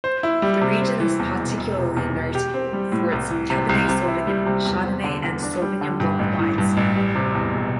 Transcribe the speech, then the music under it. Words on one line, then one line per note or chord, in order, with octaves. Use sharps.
The region is particularly notable for its Cabernet Sauvignon, Chardonnay and Sauvignon blanc wines.
C5
E4
G3
C3
C4
E3
E2
E1
E1
C3
E2
E1
G4
C4
G3
A2
C2
E3
C3
C2
C3
E4
G3
C3
E2
C4
D3
E2
D4
G3
D3
G2
A1
E3
G2
A1
G3
C3
E2
E1